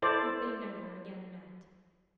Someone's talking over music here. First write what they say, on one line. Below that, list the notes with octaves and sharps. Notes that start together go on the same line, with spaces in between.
But they never again met.
E4 A4 C5 D5